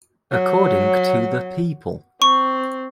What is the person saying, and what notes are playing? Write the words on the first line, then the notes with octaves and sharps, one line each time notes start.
According to the people.
F#3
C4 C#6